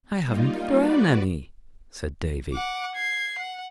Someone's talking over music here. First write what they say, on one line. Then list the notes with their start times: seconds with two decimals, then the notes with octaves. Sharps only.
"I haven't thrown any," said Davy.
0.24 G3 A#3 D#4 F4
0.78 F#4 B4 D5
2.52 F#5 D6
2.95 G#6 C7
3.38 F#5